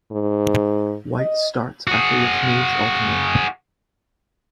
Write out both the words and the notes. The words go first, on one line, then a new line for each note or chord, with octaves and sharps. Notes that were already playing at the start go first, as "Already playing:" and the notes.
White starts, after which moves alternate.
G#2
D#5
F#4 G#4